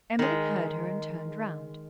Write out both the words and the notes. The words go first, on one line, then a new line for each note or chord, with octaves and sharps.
Emily heard her and turned round.
D#3 G#3